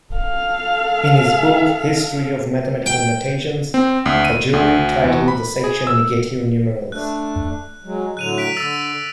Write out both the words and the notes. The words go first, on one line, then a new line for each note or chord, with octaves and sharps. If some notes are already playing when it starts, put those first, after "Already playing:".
In his book "History of Mathematical Notations", Cajori titled the section "Negative numerals".
A4 F5
G5
C4
D2
D#7
D2
E2
B5
G#4
E6
A3 D4 F#6
F#3 G#3
A2 D3 F#3 F#6 D#7 F7
F#6 B6 D7
D3 E6 A6